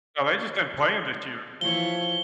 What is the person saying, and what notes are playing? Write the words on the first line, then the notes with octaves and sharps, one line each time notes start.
No, they just didn't play him this year.
E3 F3 F4 C#5 G7